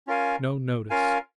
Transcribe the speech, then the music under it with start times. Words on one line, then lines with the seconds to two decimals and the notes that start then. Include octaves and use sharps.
No notice.
0.07 C#4 F4 A#4 F5 G#5
0.90 C#4 F4 A#4 F5 G#5